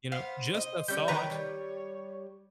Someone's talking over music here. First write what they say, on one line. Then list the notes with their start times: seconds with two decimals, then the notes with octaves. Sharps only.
You know, just a thought."
0.12 B3 C5 F5
0.54 D#5
0.88 G3 C#4 D5 G6
1.08 D#3 B4 C#5 D#5 G5 A#5
1.30 G3